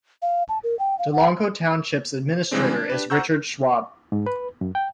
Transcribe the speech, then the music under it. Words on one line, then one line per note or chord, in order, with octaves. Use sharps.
Delanco Township's Administrator is Richard Schwab.
F5
A5
A#4
G5
F5
F#5
C#3 E3 G3 G#3 C4 D4
D4
D4 G4 B4
C5 F#5 A#5 C#6 E6 G6
G#2
B4
F#2
G5